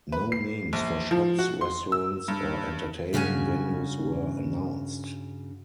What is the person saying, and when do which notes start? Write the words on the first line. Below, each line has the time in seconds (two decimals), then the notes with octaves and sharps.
No names for shops, restaurants or entertainment venues were announced.
0.12 B4
0.32 C7
0.73 A#1
1.11 F3
1.39 F#4
1.61 C6
1.92 E6
2.28 G2
3.13 G2 C#3 C#4 F#4 G#5